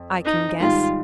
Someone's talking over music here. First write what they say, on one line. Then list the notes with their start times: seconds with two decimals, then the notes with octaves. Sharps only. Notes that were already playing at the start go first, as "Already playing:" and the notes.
"I can guess."
Already playing: F2
0.25 D#4
0.60 G#2 D#3 G3 F4